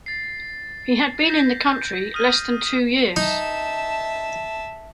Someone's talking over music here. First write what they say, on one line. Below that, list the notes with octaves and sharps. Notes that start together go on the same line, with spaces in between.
He had been in the country less than two years.
A6 C7
G6 A#6 B6
D#6 F6 D#7
D#4 E5 A5